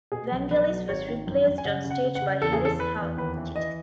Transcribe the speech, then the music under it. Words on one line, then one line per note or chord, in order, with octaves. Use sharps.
Vangelis was replaced on stage by Harris Halkitis.
B2 G#4
B1
B1 B4
F#3
G#1 C#5
D#3
F#2
F#2
G#5
C#3 F#5
C#3
F#5
C#3
F#5
C#3
E2 A4
G#4
E2
A4
E2 B4
E2
D#2 B4
E3
E3 D#5